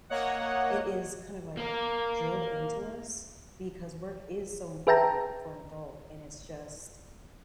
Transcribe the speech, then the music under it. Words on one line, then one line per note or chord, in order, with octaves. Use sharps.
it is kind of, like, drilled into us because work is so important for an adult and it's just
A#3 C#5 D#5 F#5
A#3 A#4
G#4 B4 E5 G5 A5 A#5